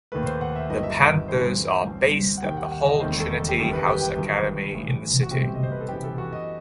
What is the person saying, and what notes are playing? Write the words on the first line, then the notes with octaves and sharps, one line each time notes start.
The Panthers are based at the Hull Trinity House Academy in the city.
D#2 D#3 A3 B4
C5
F#5
E5
G1 G2 D#3 F#3 B3 D#5
E5
D#5
G1 G2 E3 A3 C4 C5
B1 B2 F#3 C4
F#5
D#2 D#3 G3 G5
F#5
F#5
D#5
E1 D#2 D#3 A3 C4 C5
A4
G4
F#1 F#2 D#3 G3 A4
B4
G4
G4
G1 G2 D#3 F#3
A1 A2 E3
F#4
C2 B2 A3 C4 G4
D#5
C5
B4
A4
F#2 E3 B3 G4
A4
F#4
D#5